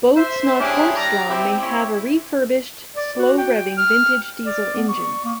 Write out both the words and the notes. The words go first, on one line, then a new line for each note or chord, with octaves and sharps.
Boats not horse-drawn may have a refurbished, slow-revving, vintage diesel engine.
C5 E5
C#4 D4 E4 G4 G#4
G3 D5 A#5
C4 E4 G4
C4 C#4 E4
D5
F#4
G5
F6
D5
B3
C#6
A#3